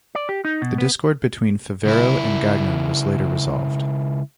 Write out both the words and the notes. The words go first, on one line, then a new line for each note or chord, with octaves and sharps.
The discord between Favero and Gagnon was later resolved.
D5
G4
D#4
B2
B3
C#2 E4